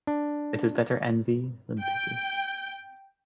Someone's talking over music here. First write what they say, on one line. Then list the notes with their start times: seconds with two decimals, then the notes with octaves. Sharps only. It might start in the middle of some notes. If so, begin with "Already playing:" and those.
It is better envy than pity.
0.07 D4
1.81 G5